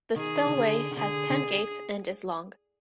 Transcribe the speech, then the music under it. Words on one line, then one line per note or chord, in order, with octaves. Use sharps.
The spillway has ten gates and is long.
D#3 G#4
C#3
D3
D#3
D3 G#4
D3